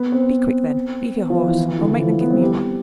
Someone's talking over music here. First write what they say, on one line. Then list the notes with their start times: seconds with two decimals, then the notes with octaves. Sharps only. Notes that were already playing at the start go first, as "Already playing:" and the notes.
"Be quick, then; leave your horse, or make them give me one."
Already playing: B3
0.12 C4
1.16 B3
1.30 F3
1.44 E3
1.58 E3
1.68 E3
1.79 D3
1.89 E3
1.99 F3
2.21 B3
2.30 C4
2.41 G3